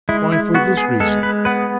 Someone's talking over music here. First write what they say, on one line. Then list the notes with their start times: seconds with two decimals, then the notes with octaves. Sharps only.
'Why, for this reason.
0.09 G#3 E4
0.32 E4
0.55 B3 F#4
0.77 G#4
1.00 G#3 A4
1.23 B4
1.45 B3 B4